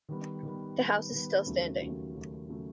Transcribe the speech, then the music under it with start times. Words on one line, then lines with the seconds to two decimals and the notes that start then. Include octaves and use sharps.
The house is still standing.
0.09 D#3 G3 B3
0.43 D#3 G3 B3
0.77 D#3 G3 B3
1.12 D#3 G3 B3
1.46 D#2 C#3 F#3 A3
1.80 D#2 C#3 F#3 A3
2.15 D#2 C#3 F#3 A3
2.49 C#3 F#3 A3